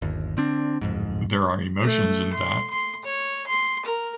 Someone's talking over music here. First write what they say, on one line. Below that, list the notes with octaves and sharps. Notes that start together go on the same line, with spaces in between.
There are emotions in that.
G1 D#2
D3 C4 D4
D1 F2 G#2
A3
C6
C6
C#5
C6
A#4